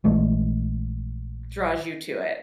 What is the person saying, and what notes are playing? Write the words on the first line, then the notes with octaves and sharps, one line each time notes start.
draws you to it?
A#1 E3 G#3 A3